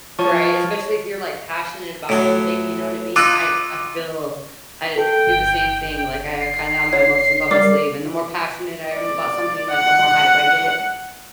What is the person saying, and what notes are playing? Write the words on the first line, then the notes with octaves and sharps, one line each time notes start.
Right, especially if you're like passionate about something, you know what I mean, I I feel I do the same thing, like, I, uh, kind of have my emotions on my sleeve, and the more passionate I am about something, like, the more hype I get.
F3 C#5 A5 C#6
A2 F#3
D#4 F4 D6 E6 F#6
A4 G5
G1
C7
C#5
G3 A#4 D5 D6
D5
F#5